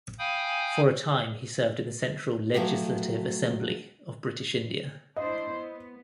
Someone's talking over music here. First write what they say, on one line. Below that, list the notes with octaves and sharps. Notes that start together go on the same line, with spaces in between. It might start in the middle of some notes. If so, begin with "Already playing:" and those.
For a time he served in the Central Legislative Assembly of British India.
F5 G5 G#5 B5 D#6 G6
F3 F#3 A3 F#4 G4
D4 E4 C5 D#5
B3